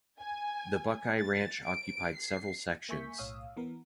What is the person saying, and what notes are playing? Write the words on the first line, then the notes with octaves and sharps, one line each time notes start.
The Buckeye Ranch occupied several sections.
G#5
A6
D7
C7
A#3 E5 G#5 C#6 G6 B6
B1 A2 C#5 F5 D#6 E6
E3 B3 A#4